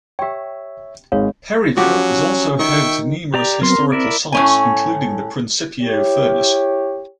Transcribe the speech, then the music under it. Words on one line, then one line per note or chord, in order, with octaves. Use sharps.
Perryville is also home to numerous historical sites including the Principio Furnace.
G4 C#5 E5 G5
G#1 G#3 D#4 G#4 C#5 F5
F3 F#3 C#4 F#4 G4
D#3 E5 G5 C#6
G4 D5 A#5
F#3 B3 C4 A#4 C6
C4
E4 A#4 D5
A2 C#4 G#5
E4 G4 C#5